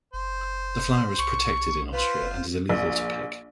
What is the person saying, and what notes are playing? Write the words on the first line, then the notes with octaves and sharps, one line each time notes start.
The flower is protected in Austria and illegal to pick.
F#1 C5
B1 C#6
F4 B4 C5
F#1
A#1